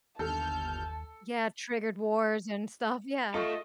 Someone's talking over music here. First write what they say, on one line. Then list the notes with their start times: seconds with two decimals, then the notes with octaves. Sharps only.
Yeah, triggered wars and stuff, yeah.
0.19 G1 D#2 A4 A5 F6 G6
3.34 A3 F4 A4 D#5 C#6